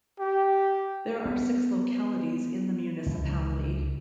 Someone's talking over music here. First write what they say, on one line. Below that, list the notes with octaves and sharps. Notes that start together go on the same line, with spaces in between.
There are six localities in the municipality.
G4
B3
C#2